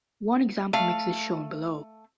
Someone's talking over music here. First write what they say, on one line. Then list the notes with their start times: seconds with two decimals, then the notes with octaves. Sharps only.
One example mix is shown below.
0.73 A3 F5